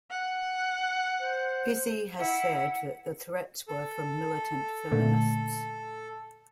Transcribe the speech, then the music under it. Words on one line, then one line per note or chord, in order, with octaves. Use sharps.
Pizzey has said that the threats were from militant feminists.
F#5
C5
E4 F#5
A4
A#2 D3 A3